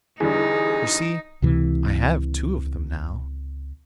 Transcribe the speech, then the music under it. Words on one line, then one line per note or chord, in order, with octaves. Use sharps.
You see, I have two of them now.
E2 D3 G3 D#4 G#4
C#2 C3 E3